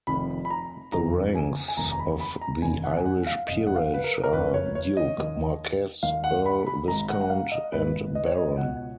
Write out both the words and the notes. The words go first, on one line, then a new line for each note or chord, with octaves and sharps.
The ranks of the Irish peerage are Duke, Marquess, Earl, Viscount and Baron.
F1 F2 D#3 B5
B5
A#5
F1 F2 D#3 A#5
G#5
G#5
F1 D#2 D#3 A#5
A#5
B5
B5
A#5
F1 D#2 D#3 G#5
F#5
G#5
F#5
F5
F#1 F2 C#3 D#5
F#5
F5
B4
A#4
A#4
F#1 F2 C#3 B4
C#5
C#5
D#5
D#2 D#3
D#2 D#3 F5
F#5
B5
B5
G#1 G#2 D#3 A#5
F#5
F#5
F5
D#5
G#1 G#2 D#3 B4
D#5
C#5
D#5
C#2 B2 F#5